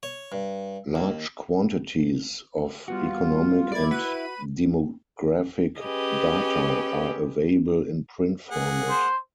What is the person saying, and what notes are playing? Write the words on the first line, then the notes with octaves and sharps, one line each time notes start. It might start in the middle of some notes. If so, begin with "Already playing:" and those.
Large quantities of economic and demographic data are available in print format.
C#5
G2
D#2
G3 B3 F4 F#4
E4 D5 G#6
F#4 B4 D#7
C#4 G4 G#4 B4 D#5
A#3 G#4 F#5
C5